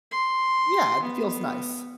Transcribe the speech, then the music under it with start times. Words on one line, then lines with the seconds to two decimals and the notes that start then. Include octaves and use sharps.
Yeah, it feels nice.
0.11 C6
1.03 B3